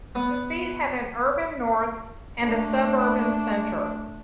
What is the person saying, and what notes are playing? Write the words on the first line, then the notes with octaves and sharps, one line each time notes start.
The seat had an urban north and a suburban centre.
B3 D#6
A3 D4